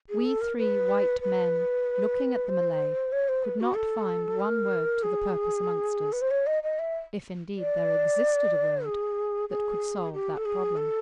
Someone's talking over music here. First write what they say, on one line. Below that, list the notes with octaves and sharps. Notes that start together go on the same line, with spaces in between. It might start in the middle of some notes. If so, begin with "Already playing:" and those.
We three white men, looking at the Malay, could not find one word to the purpose amongst us--if indeed there existed a word that could solve that problem.
G#4
A4
A#4
B4
B4
C5
C#5
C5
B4
F#4
A4
A#4
G#4
B4
C5
C#5
D#5
D#5
E5
D5
G#4
G#4
G4
A4
G#4
A4